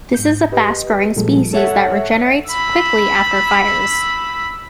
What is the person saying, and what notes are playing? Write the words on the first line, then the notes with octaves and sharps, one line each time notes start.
This is a fast-growing species that regenerates quickly after fires.
G#2 G6
G4 B4 D#5
A#2 F3 G3 G#3 G#4 A4
A4 C#5 E5 F#5
B5 E6